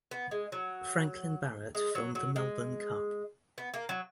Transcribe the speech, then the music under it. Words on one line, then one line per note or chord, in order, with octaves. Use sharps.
Franklyn Barrett filmed the Melbourne Cup.
B3
G#3
F#3
G#3
F#3
F#3
G#3
B3
A#3
F#3